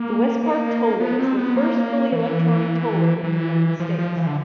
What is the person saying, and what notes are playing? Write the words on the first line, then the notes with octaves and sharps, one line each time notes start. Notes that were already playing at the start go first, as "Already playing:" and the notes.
The Westpark Tollway is the first fully electronic toll road in the United States.
Already playing: A#3
A#3
B3
C4
B3
A#3
E3
E3
F3
F3
E3
D3